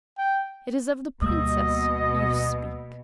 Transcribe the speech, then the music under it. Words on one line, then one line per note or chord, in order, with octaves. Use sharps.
"It is of the princess you speak."
G5
D2 B2 G3 A#3 D#5 E6